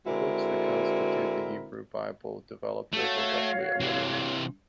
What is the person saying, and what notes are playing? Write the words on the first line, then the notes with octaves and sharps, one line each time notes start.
The books that constitute the Hebrew Bible developed over roughly a millennium.
D3 G#3 C4 E4 F#4 A#4
A3 F#4 C#5 F5
C3 E3